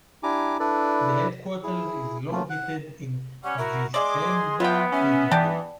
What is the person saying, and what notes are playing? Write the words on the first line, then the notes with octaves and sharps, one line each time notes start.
The headquarters is located in Vicenza, Italy.
D4 E4 G4 G#5 A#5 D6
D4 E4 A4 B4 D5
E4 G#4
A3 A#3 C#4 F4
F#5 F#6
G3 C#4 F#5
E4 F#4 A#4
G#3 G#4 D5 E5 C6 D6
E3 B3 F4 E5 G5
C#4 E5
E3 D5 G5 A5